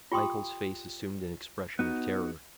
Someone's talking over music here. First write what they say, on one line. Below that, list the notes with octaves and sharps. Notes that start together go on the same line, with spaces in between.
Michael's face assumed an expression of terror.
F4 G4 G5 C6 D#6
B3 D#4 F#4